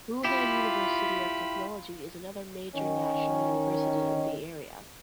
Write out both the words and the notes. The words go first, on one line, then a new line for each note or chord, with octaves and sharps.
Wuhan University of Technology is another major national University in the area.
E4 F4 G4 B5
D#3 C#4